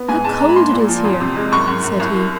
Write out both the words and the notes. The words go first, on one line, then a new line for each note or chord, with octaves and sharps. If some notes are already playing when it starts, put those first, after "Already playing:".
"How cold it is here!" said he.
Already playing: B3
G#2 G#5
G#3 A5
G#3 A#5
B5
A#3 C6
A#2
F3
E2
C3
G#3
F#2 C#6
F#2
F#2
C2